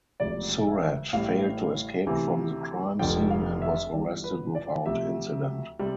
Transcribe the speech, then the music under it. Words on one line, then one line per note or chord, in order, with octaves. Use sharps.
Surratt failed to escape from the crime scene and was arrested without incident.
E1 D2 C3 F3 D5
E5
A1 A2 G3 F5
D2 C3 E3
F1 F2 D3 F3 G5
F5
E5
G1 G2 E3 D5
B4
D5
D2 C3 F3 E5
C3 G3